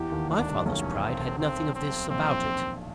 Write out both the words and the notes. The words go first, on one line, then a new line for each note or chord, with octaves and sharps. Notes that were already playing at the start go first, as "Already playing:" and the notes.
My father's pride had nothing of this about it.
Already playing: E2 E3 G4
D#2 D#3
D2 D3 D4
C2 C3
B1 B2 C#4
C4
C4
C4
A#1 A#2 C4